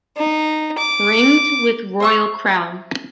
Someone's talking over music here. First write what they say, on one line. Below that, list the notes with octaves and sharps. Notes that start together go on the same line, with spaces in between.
Ringed with royal crown.
D#4
D6
C5 E5 C#6